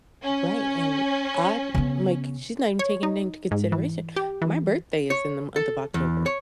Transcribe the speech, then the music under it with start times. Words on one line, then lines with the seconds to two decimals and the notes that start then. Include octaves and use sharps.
Right, and I like, she's not even taking anyth into consideration. My birthday is in the month of October,
0.23 C#4
1.75 C#3 B3
2.79 C#5
3.03 D#4
3.51 G#2
3.72 E3
4.16 G4
4.42 E3
5.10 C#5
5.56 A4
5.94 E2
6.26 C#5